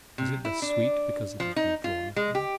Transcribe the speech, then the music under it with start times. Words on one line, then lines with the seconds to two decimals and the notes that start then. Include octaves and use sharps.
Is it less sweet because it is withdrawn from me?
0.18 C3
0.45 E4
0.62 D4
1.40 F3
1.56 D#4
1.84 F4
2.16 G#3
2.35 G4